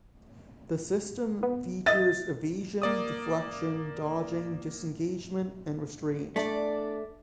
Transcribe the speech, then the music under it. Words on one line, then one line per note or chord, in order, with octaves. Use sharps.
The system features evasion, deflection, dodging, disengagement, and restraint.
B3
D#5 E5 A6
A#3 D5 D#6
E2 A3 D4 D5 A5